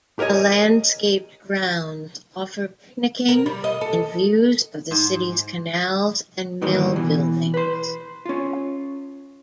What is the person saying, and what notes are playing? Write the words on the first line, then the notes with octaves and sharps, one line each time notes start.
The landscaped grounds offer picnicking and views of the city's canals and mill buildings.
G4 A#4 C#5 D#5 G#5
A#4
G3
D#5
A4
G#2
G#2 D#3 E3 G3 A#3
B2 E3
B4 C6
C#4 F4